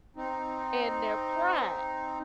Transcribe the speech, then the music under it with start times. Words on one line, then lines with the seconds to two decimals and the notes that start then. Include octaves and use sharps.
and their pride.
0.16 C4 D#4